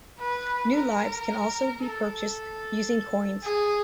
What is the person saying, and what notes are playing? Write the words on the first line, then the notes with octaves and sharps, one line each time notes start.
New lives can also be purchased using coins.
B4
A#4
A4
G#4